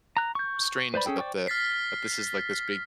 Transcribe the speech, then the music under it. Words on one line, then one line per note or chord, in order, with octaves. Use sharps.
strange that the that this is, like, this big,
A#5 F#6
C#6 G6
B4 C5 D5 B5
C#4 G#4 A4 G5
C5 D5 G5 C#6
F6 A6 B6 C7